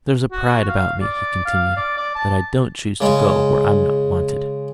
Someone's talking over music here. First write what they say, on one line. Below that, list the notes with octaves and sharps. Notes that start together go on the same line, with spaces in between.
"There's a pride about me," he continued, "that I don't choose to go where I'm not wanted."
F#4
F5
D5
F5
D5
D5
A5
C#3 G#3